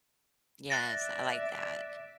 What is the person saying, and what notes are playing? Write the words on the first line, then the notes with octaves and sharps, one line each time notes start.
Yes, I like that.
D5 E5 F#6 A6 A#6